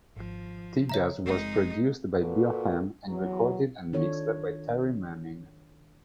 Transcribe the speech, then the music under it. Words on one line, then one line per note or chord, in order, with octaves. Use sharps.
"Tejas" was produced by Bill Ham and recorded and mixed by Terry Manning.
G#1 F3
C#3 C#5 E5 A#5
F#1 F3 G#3 C4 D#4
A#2 F#4 A4 B4
E2 F#3
D#3 D4 F4 A4 C#5